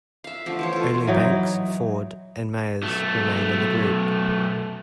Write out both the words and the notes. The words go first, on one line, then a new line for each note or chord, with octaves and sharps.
Only Banks, Ford and Mayes remained in the group.
E5 F5
D3 F3 A3
E3 C5 C#5
F4 A4
E3 F#3 D#4
B1 A3